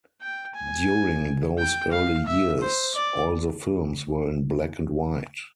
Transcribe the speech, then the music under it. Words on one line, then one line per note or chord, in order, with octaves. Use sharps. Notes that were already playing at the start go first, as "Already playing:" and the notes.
During those early years, all the films were in black and white.
G5
G#5
G5
F5
E5
C5
D5